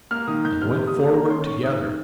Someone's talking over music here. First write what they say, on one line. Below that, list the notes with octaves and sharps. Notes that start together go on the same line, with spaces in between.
They went forward together.
A#3 F6
D#3 D#6
D#3 G6
C3 F6
C3
D#6
A#3
D#3 A#5
C#4 C6
D#3 C#6
D#3 D#6
D#3